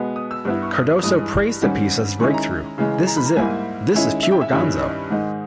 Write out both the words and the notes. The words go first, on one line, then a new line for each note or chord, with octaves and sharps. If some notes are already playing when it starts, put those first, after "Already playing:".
Cardoso praised the piece as a breakthrough: This is it, this is pure Gonzo.
Already playing: B2 G#3 B3
D#6
E6
G2 G3 B3 E4
C#6
D#6
G2 E3 G#3 D#6
G#2 D#3 G3 C#4
D#3 G#3 C#4 E4 C#6
A#5
C#3 E3 G#3
A#5
B5
A#5
G#2 G3 A#3 E4 G#5
D#3 G#3 C#4 E4
E5
G5
E5
G2 D#3 G3 C#4 E4
D#5
G#2 D#3 G#3 D#4